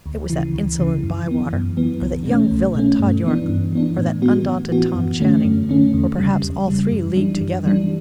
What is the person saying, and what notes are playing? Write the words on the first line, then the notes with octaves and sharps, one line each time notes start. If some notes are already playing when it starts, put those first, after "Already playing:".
It was that insolent Bywater!--or that young villain, Tod Yorke!--or that undaunted Tom Channing!--or perhaps all three leagued together!
D2
C#3 E3
D2
C#3 E3
F#2
E3 B3
F#2
E3 B3
C#2
B2 A3 C#4
C#2
B2 A3 C#4
G2
E3 B3 D4
G2
E3 B3 D4
A2
E3 B3 F#4
A2
E3 B3 F#4
F#2
D3 A3 C#4
F#2
D3 A3 C#4
E2
C#3 G3
E2
C#3 G3
F#2
E3 G3 D4
F#2
E3 G3 D4